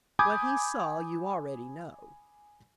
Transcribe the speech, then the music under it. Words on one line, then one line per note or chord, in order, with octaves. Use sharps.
What he saw you already know.
G#5 B5 D6 D#6 G6 G#6